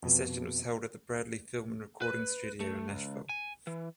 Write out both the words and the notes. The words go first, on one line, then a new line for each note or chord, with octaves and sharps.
The session was held at the Bradley Film and Recording Studio in Nashville.
F2 B2
B4
A3
C#2
G#5
E3